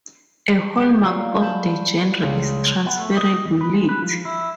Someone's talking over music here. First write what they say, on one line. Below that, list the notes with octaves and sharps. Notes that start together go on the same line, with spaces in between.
A hallmark of the genre is transferability.
G#3 G4 G5
F#3 G3 A#3 F4 F#4
A5 B5 G6
C#2 C#3 G#3
B3
A3
D#5
E2
B4
G#3
B4
F3
E4